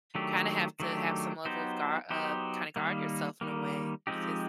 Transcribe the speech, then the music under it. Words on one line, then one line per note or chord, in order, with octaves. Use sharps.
kinda have to have some level of guar uh, kinda guard yourself in a way because,
D#3 F#3 A3 D4 G4
D#3 F#3 A3 D4 G4
F#3 B3 D#4 G4 C5
F#3 B3 D#4 G4 C5
D#3 G3 A#3
D#3 G3 A#3
F3 G#3 C4 D#4 G4